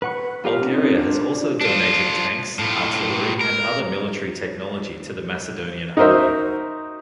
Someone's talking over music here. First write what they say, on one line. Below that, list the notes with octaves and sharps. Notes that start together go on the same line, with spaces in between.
Bulgaria has also donated tanks, artillery, and other military technology to the Macedonian Army.
B4 F#5 C#6
B3 F4 G4 A#4 F5
C4 C#4 D#4
D4 F4
D4 F4
A2 F4
A#4
D#4 F#4 A#4 C5 E5